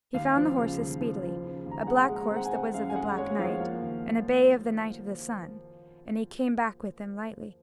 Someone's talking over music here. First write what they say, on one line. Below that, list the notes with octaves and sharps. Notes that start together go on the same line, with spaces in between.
He found the horses speedily, a black horse that was of the Black Knight, and a bay of the Knight of the Sun, and he came back with them lightly.
D#2 F5
F3
C#3
D#2
F3
F3
C#3
D#2
A#5
G#5
G#3 F#5
G#3
A#5
C4
F#5
G#5
C4
F#2 F5
G#5
G#3 F#5
G#3 C#5
F3 F5
A#3 F5
D#2